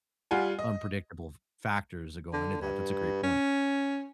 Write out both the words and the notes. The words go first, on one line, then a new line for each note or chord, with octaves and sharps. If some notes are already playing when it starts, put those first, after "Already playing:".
unpredictable f factors that go into that, that's a great point.
G3 F4 F#5 G#5
D#5
D3
G2
C#4